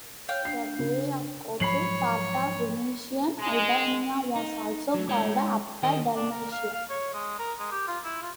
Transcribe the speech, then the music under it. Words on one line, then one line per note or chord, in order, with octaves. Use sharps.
The Bay of Kotor, part of Venetian Albania, was also called "Upper Dalmatia".
C#5 F5 G5
D4 C7
C#3
G#2 F3 F#3 C#5 B5 C7 F#7
G#3
D#4
F#3 A3
G#3 E4 C#5 D5 G5
D#3 G3 C#4 A#4 D#5
D4
A#4
F5
F5
C#5
G#3
A#4
G#3
G4
F4
E4
F4